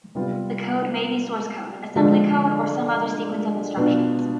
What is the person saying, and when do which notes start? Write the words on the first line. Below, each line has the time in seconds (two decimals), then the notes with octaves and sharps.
The code may be source code, assembly code or some other sequence of instructions.
0.15 C3 G3 B3 F4
1.96 D3 F3 G#3 D4 F4
3.77 B2 B3 D4 F4